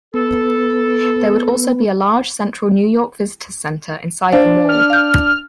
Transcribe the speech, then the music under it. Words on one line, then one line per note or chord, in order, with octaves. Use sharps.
There would also be a large Central New York Visitors Center inside the mall.
B3 A4
D4 C5 F5
F6
F5 G6